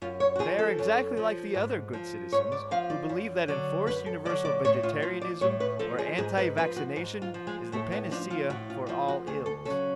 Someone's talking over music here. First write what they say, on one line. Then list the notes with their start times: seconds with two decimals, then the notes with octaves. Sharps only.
They are exactly like the other good citizens who believe that enforced universal vegetarianism or anti-vaccination is the panacea for all ills.
0.02 F#2 F4
0.20 C#5
0.35 F#4
0.39 F3 G#4
0.59 A4
0.79 F#2
1.17 F3
1.55 G#2
1.93 F3
2.32 G#2 C#5
2.52 D5
2.71 F3 F5
2.90 D5
3.09 F#2
3.48 D3 F#3
3.87 F#2 B4
4.06 A4
4.25 D3 D5
4.30 F#3
4.45 D5
4.65 A2 C#5
4.83 F4
5.02 F3 F4
5.21 D5
5.41 A2 C#5
5.60 B4
5.79 F3 A4
5.98 G#4
6.18 G#2 G#4
6.37 B4
6.57 F3 B4
6.76 F#4
6.96 G#2
7.22 F4
7.34 F3
7.47 G#3
7.72 A2 A3
7.92 B3
8.11 F3 D4
8.30 F4
8.50 A2 F#4
8.70 F4
8.89 F3 F4
9.08 F#4
9.27 D2 G#4
9.46 A4
9.65 C#3 F#3 A4